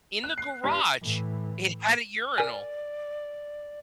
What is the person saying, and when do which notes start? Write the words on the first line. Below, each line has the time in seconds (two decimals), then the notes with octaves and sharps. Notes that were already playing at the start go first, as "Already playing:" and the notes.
in the garage, it had a urinal.
0.24 F#6
0.38 C7
0.64 G2
1.01 A2 E3
2.38 A#4 D5 G#5